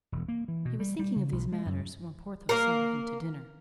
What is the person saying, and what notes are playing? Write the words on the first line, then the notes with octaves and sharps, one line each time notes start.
He was thinking of these matters when Porthos summoned him to dinner.
E1
A#3
E3
B2
G3
G3
C#3
B1
G#3
F#2
A#3 A#4